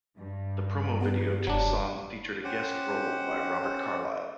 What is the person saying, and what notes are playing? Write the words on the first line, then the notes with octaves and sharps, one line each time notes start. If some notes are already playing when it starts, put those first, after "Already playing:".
The promo video to the song featured a guest role by Robert Carlyle.
G2
B3 G4
F1 F#3 D4
C#4 G4 C5 F#5